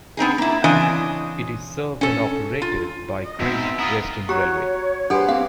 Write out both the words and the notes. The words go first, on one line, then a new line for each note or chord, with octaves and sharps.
It is served and operated by Great Western Railway.
B3 C4 D#4 G#4
A#3 E4
C#3 E3 C4 D4 D#5 G#5
C#4 A4
F4
D#5
G#2 B2 B3 C4 E5
E4 F4 F#5 A#5 D#6
F#4 G4 C#5 A#5
D4 G4 A4 B4 C5 F#5 G#5
C4 F5 D6